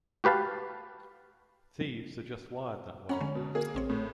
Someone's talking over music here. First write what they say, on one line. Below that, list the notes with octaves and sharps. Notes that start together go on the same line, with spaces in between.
Thieves are just wired that way.
F#4 G4 B4 F5 A5
C#4 F#5 A#5 B5
D3 G#3
B2
A#3 G#4
A1 C4 C#5
A2